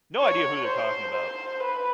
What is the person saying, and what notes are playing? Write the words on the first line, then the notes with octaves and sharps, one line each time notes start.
No idea who they're talking about.
C#5
C5
C5
B4